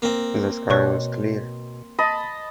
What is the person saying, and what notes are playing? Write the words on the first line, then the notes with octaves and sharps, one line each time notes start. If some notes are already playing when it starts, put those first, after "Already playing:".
The sky was clear.
A#3 C4
B2 C#5 C#6 F#6
D#5 A5 B5